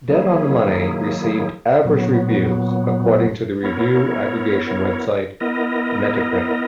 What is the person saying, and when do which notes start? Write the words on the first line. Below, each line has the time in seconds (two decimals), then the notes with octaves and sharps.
"Dead on the Money" received "average" reviews according to the review aggregation website Metacritic.
0.08 D#3 F#3 A#3 E4 G#4
1.85 A#2 F#3 B3
3.63 B3 E4 A#4 C#5
5.40 B3 E4 A#4 D#5